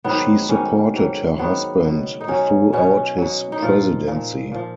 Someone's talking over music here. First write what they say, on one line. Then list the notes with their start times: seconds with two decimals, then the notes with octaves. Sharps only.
She supported her husband throughout his presidency.
0.04 G#2 D#3 F#3 B3
0.49 G#2 D#3 F#3 C#4
0.94 G#2 D#3 F#3
1.39 G#2 D#3 F#3 B3
1.84 B2 F#3
2.21 D#4
2.28 B2 F#3 C#4
2.73 B2 F#3 C#4
3.18 B2 F#3
3.52 D#4
3.62 A#2 F3 F4
4.07 A#2 F3
4.52 A#2 F3